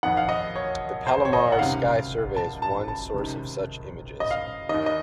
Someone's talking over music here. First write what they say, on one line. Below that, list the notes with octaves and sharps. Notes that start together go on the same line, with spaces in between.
The Palomar Sky Survey is one source of such images.
F2 D#3 F#5
F5
D#5
C#5
C5
C#5
D#5
F#5
C#2 C3 D#3 F5
A5
A5
A5
C#2 C3 D#3
D#5
F5
D#2 D#3 D#5
D#5